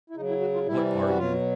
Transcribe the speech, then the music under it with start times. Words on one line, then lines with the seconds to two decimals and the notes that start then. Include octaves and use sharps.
What are you?
0.10 E4
0.16 C#3 D#4
0.20 F#3
0.29 E4
0.41 F#4
0.54 F4
0.67 C3 E3 G3 E4
1.08 F#4
1.17 B2 F#3 F4